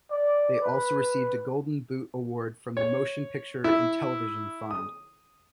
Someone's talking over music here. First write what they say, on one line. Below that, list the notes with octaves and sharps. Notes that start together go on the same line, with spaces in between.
They also received a Golden Boot Award from the Motion Picture and Television Fund.
D5
B4
C#5
E4
D#6